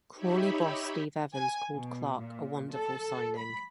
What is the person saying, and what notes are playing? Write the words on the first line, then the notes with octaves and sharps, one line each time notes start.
Crawley boss Steve Evans called Clarke a wonderful signing.
D#4 G4 C#5 E5 B5
G#5
B2
A#2
A4
B5